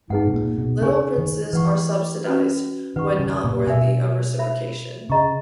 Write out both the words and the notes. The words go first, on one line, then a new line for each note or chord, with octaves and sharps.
Little princes are subsidized, when not worthy of reciprocation.
G#2 D#4 G#4 B4 F#5
B2
A#2
B2
C#3 G#4 C#5 G#5 C#6
D#3
E3 B4 F#5 C#6
C#4 F#4 B4
D#3 B4 F#5 C#6
C#3
A#2
B2 A#4 E5 G#5
A#4 C#5 E5 B5
C#3 G#4 D#5 A#5 C#6